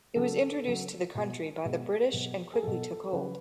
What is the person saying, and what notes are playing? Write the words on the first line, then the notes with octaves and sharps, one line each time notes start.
It was introduced to the country by the British and quickly took hold.
C#3 F#3 A4
C#3 F#3
B2 G#3
B2 G#3
B2 F#3
G#4
B2 F#3 A4
C#3 F#3 B4